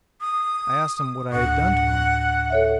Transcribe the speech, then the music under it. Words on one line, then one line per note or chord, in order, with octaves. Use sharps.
I asked him what I had done to him.
D#6
D2 A2 F#5
A4 C#5 E5